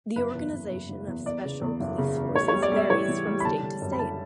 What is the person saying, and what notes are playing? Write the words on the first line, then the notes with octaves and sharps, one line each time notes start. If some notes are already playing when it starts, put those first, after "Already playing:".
The organization of special police forces varies from state to state.
F#1 B4
E2
F#1
F#1
F#1
E2
E2 D5
C#3
E2
F#1
C#3
E2
A1 C#5
C#5
G3
D5
G3 E5
A1 C#5
E3
G3
B5
D3 A5
D3
F#2
B5
F#1 A5